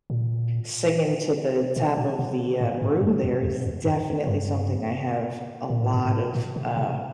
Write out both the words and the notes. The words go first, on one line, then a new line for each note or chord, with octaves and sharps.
singing to the top of the, uh, broom there is definitely something I have a lot of, uh,
A#2
B2
B2
B2
A2
G#2
F#2
F2
E2
F2
F#2
G2
A#2
A2
G#2
G#2
A2
A#2
C3
C3